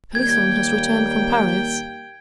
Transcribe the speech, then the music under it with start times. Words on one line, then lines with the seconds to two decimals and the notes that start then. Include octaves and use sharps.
"Pelisson has returned from Paris."
0.15 D#2 G3 A#3 G5 G#6